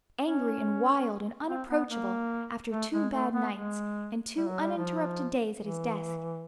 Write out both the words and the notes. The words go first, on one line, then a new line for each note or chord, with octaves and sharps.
Angry and wild and unapproachable, after two bad nights, and two uninterrupted days at his desk.
C#4
C4
B3
A#3
A3
G#3
A3
B3
G#3
G3
F#3
G3
F3
E3